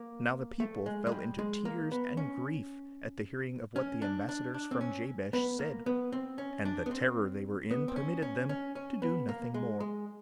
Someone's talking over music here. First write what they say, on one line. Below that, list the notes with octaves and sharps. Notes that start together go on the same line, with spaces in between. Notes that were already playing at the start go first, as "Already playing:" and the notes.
Now the people fell into tears and grief at the hearing of what the ambassadors from Jabesh said; and the terror they were in permitted them to do nothing more.
Already playing: A#3
A3
G#3
G#3
G3
G#3
A#3
B3
C#4
C#4
D4
D4
D4
C4
C#4
B3
A#3
B3
C4
C#4
D4
B3
C4
B3
C4
C#4
C#4
C#4
C#4
B3
A#3
G#3
G#3